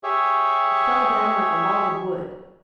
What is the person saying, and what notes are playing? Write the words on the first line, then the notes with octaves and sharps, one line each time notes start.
He fell down like a log of wood.
G4 G#4 C#5 E5